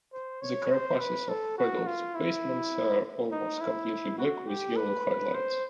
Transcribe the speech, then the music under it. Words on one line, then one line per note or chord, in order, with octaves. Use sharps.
The carapaces of adult specimens are almost completely black, with yellow highlights.
C5
C#5
C5
B4
A4
F#4
F4
E4
D#4
E4
F#4
G4
B4
C5